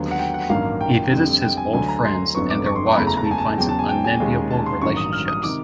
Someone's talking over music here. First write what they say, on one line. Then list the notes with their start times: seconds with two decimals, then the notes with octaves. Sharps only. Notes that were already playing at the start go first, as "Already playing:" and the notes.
He visits his old friends and their wives who he finds in unenviable relationships.
Already playing: D#2 D3 F#3 B3
0.11 F#5
0.19 G5
0.34 F#5
0.49 A1 G2 D#3 F#3 A#3 F5
0.81 G5
1.11 F2 D3 G3
1.42 G5
1.57 G#5
1.73 D2 D3 F#3 G#5
1.88 A#5
2.04 C6
2.35 G1 F2 D3 F#3 B3 C#6
2.50 D6
2.66 C#6
2.76 C6
2.87 C#6
2.92 A#5
2.97 F#1 E2 C#3 E3 A3 B5
3.07 A#5
3.17 A#5
3.24 A5
3.31 G#5
3.38 A5
3.58 E2 C#3 F#3 G5
3.69 A5
3.79 G#5
3.89 G5
4.04 G#5
4.20 D#2 D#3 G#3 C#4
4.51 A5
4.66 C6
4.81 A1 G2 D#3 F#3 C#6
4.97 D#6
5.13 F6
5.28 D#6
5.43 C3 D#3 D6